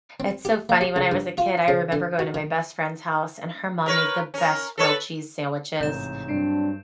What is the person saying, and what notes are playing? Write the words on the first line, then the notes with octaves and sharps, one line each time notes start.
It's so funny, when I was a kid, I remember going to my best friend's house, and her mom made the best grilled cheese sandwiches,
C4
G4
A#3
G4
C#2
G2
F4
C#3
D3
F#4
D#3
A#4 B4 C#5
C#4 A#4
A4 B4 C#5
A1 G#2 C3 G6 E7
G2 F#3 C4 D4 C7 D7